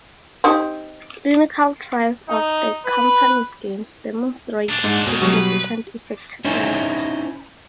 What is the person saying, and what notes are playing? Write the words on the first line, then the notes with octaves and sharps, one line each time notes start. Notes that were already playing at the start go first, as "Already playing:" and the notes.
Clinical trials of the company's games demonstrated significant effectiveness.
C4 D#4 G4
D#4
B4
A#2 D4
G#2
C#2 F#2 B2
B2 F#3 G3
B4
C#4 D#4 E4 C5